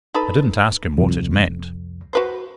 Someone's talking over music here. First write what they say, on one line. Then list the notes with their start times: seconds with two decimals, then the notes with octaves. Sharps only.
I didn't ask him what it meant.
0.14 D#4 A4 B4
0.98 C2 F2
2.13 F#4 B4 C5